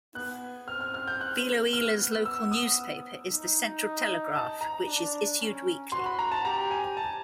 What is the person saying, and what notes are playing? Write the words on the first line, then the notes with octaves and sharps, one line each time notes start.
Biloela's local newspaper is the "Central Telegraph" which is issued weekly.
B3 F#6
C4 F6
F6
F6
G6
F#6
B3 F6
E6
D#6
D#4
A5
A#5
D4
C#4
F#4 C6
B5
A#5
A5
G4 A#5
G#5
A5